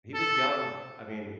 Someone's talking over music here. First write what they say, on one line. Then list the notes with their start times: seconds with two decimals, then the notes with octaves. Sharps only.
He was young, I mea
0.14 A4